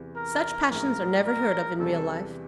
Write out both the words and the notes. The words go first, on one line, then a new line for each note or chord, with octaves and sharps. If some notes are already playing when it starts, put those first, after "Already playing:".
Such passions are never heard of in real life.
Already playing: E2 C3 E3
A#4
A#1 A2 F3 A#4
A#4
E2 C3 E3 G3 A4